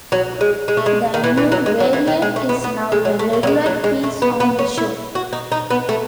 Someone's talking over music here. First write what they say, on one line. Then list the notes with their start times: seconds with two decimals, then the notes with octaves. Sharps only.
The new variant is now a regular piece on the show.
0.12 F#3
0.41 G#3
0.68 G#3
0.77 A3
0.86 G#3
1.14 D#3
1.24 E3
1.38 E3
1.52 F#3
1.66 G#3
1.80 F#3
1.93 E3
2.07 D#3
2.22 G#3
2.36 A3
2.49 B3
2.64 B3
2.92 G#3
3.05 F#3
3.19 A3
3.33 A3
3.43 F#3
3.47 G#3
3.66 F#3
3.84 G#3
4.03 A3
4.22 B3
4.40 B3
4.59 C#4
4.78 E4
5.15 F#4
5.33 D#4
5.52 D#4
5.70 B3
5.89 A3